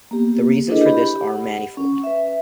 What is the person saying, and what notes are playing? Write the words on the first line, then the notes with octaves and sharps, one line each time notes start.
The reasons for this are manifold.
A#3 B3 G4
D4 E4 G#4 A4 B4 D#5
G4 B5
F#5
C#4
B4 E5